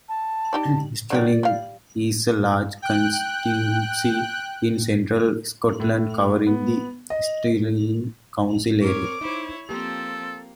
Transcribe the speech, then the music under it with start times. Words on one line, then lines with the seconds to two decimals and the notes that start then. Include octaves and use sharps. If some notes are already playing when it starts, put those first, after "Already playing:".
Stirling is a large constituency in Central Scotland covering the Stirling council area.
0.09 A5
0.53 D#4 G4 D5
1.10 D3 F#3 G4 D5
1.43 G3 F5
2.82 G5 F#6
5.80 A2
6.47 B3
7.10 D#5
8.82 C4 A#4 C#5 D6
9.21 D#4 E4 C5 C#5
9.69 F3 A#3 C4 G4 A4